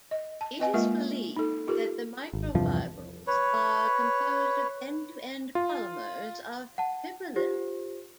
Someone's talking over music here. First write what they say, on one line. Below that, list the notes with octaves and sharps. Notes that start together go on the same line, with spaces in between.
It is believed that the microfibrils are composed of end-to-end polymers of fibrillin.
D#5
A5
C4 B4 D#5 F#5 G#5
G#3 A#3 F4 A#4 E5 F#5
D#4 A4
F4 G4 A4 A#4
G#1
E2 G2 C3 F3
B4 C#5
F4
F#5 A5
F4 G4 C5